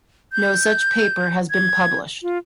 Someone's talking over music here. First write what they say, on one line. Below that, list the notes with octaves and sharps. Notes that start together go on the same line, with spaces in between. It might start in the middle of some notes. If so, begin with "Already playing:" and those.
No such paper has been published.
G6
G#6
F4